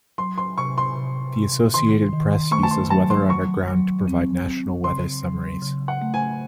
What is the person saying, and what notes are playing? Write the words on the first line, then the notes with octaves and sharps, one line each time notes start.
The Associated Press uses Weather Underground to provide national weather summaries.
F#3 C6
C6
C3 C#6
C6
C3
C3
D#3 C6
D#3
A3 C#6
A5
C6
F#3 A5
C6
F#3 C#6
F#3
C4
C4
C#3 C6
F#3
C#3
F#5
A3
G#5